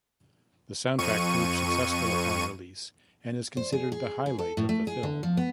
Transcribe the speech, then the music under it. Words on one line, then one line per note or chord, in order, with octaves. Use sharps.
The soundtrack proved successful upon release and is considered the highlight of the film.
F2 C#6 D#7
C5
G#4
G#4
G#4
A4
A2
A3
G#4
D3
F3
B3